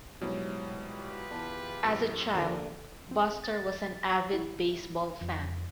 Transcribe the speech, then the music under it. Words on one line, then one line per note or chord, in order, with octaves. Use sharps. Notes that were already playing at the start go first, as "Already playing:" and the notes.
As a child Buster was an avid baseball fan.
G#2 B2 F#3 G3 E4 C#5
F4 G4 B4
E2 A5
F#2 A2 C3
D#2 D3 F3 A#3
C4
A6
E4
F2